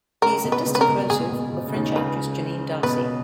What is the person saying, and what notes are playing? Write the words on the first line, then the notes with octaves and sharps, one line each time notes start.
He is a distant relative of French actress Janine Darcey.
C#2 C#3 A#4
B2
B4
C#2 C#3
B4
A#4
B2
A#2 G#4
B2
B2
C#3
D#2 D#3
C#2 C#3 B4
B2 B4